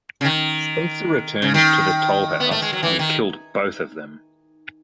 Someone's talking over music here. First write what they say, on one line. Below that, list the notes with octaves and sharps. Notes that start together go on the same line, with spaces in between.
Spencer returned to the toll house and killed both of them.
C#3
D#3
C#3
D#3
B3
A3
G#3
F#3
E3
D#3